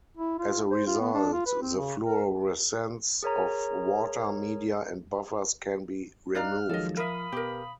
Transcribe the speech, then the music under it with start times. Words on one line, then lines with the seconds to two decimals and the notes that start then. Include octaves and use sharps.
As a result, the fluorescence of water, media, and buffers can be removed.
0.17 E4
0.39 F4
0.71 C5
0.87 F4
1.00 B3
1.14 D4
1.33 F4
1.46 B4
1.62 C4
1.77 C#3
2.04 A#4
3.23 G#4 A#4 C#5 A#5
6.35 D#4 D5 F5 A#5 F6 F#6
6.69 D#3 F3 F#3 G#3 A4 D#5
6.97 A#4 E5 F5 B5 D#6
7.32 B2 G4 A#4